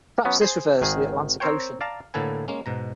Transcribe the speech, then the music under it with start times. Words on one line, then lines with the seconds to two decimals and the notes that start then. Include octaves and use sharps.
Perhaps this refers to the Atlantic Ocean.
0.25 F#3 B3 C#4
0.41 G#4 C5
0.82 G#1 D#3 G#4
1.40 C4 A#4 C5 C#5 G5
1.81 D5 F5 A5 A#5
2.14 A2 D3 A#3 A4 B4 G#5
2.48 G#3 A#3 C#4
2.66 G#2 B2 A#5